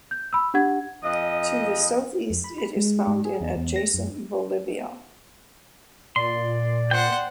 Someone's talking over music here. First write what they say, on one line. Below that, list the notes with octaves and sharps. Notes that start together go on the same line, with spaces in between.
To the southeast it is found in adjacent Bolivia.
G6
B5 E6
D4 G4 F#5 G#6
F2 D#5
F2
B5
B5
G#3
G#2
G#4
E2
E2
A#6
F#2
A#2 D5 C6
C5 F#5 G5 C6